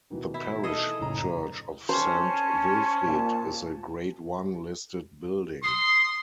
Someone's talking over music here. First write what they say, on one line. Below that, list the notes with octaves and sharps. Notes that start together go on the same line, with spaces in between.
The parish church of Saint Wilfrid is a Grade One listed building.
B2 D#3 E3
E4
G#4 A4 D#5
F#1 A2 A#5
C#4 C5 A5
A#2
C6 D#6